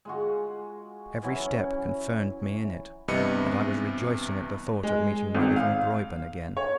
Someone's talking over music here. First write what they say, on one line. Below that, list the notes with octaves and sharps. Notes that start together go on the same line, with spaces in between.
Every step confirmed me in it, and I was rejoicing at the thought of meeting my little Graeuben again.
G#3 F4 F#4
E3 F#3 C#4
G2 C3 E3 B3 D#5 C#7
G#3
G#1
F5
C#5